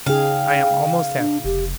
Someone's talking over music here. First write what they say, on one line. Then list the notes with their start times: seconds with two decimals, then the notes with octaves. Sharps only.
I am almost happy.
0.06 C#3 D#4 G#4 F5 G5
1.17 D4
1.44 F1 G4